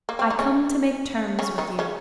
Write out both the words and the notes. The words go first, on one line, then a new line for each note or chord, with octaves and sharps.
I come to make terms with you.
A#3
C4
D#4
C#3 C#4
C#3 C#4
D#3 D#4
C#3 C#4